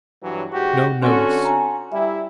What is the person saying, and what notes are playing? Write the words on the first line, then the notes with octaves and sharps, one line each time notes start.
No notice.
G2 E3 F#3
G#2 F#4 G4
D3 C4 C#4 F#4 A4
G#5 A#5
G3 E4 E5